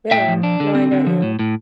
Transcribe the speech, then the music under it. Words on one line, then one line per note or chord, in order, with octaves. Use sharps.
Yeah, no, I got you.
A2 E5 G5
F3
D4
D3
C4
D3
F3
A2
A2